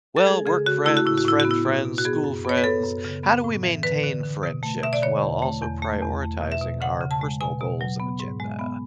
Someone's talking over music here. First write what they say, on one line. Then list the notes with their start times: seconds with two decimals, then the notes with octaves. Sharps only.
Well, work friends, friend friends, school friends, how do we maintain friendships while also prioritizing our personal goals and agenda?
0.16 A4
0.26 G#3 G#4
0.46 C#3 G#4
0.66 C#3 F#4
0.85 A3 E4
0.97 F#4
1.06 A2 E4
1.17 F#4
1.25 A2 E4
1.40 B3 F#4
1.51 E4
1.66 B2
1.86 B2
1.98 F#4
2.05 B3 G#4
2.24 F#2
2.45 B3 C#5
2.58 B4
2.64 B3 A4
2.84 F#2
3.05 C#3
3.23 B3
3.44 A2
3.63 E3
3.83 D3 B4
4.04 D3
4.24 D3
4.43 B2
4.63 A3
4.83 B2 E5
4.93 D5
5.02 D3 C#5
5.22 E2
5.42 A3
5.62 E2
5.82 A3
6.02 E2
6.22 A3
6.41 B2
6.52 E5
6.61 B2
6.81 C#3 F#5
7.01 C#3
7.11 A5
7.21 G#3
7.41 B2 G#5
7.61 B2
7.81 F#3
8.00 B3
8.20 G#2
8.40 G#3
8.59 B3